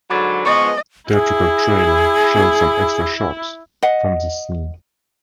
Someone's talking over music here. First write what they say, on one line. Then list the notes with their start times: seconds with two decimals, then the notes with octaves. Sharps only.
Theatrical trailer shows some extra shots from this scene.
0.10 G#2 D3 F#3 B5 D6 A6
0.45 F3 G#3 B3 D#5 C#6
1.10 E4 G#4
3.83 D#5 F#5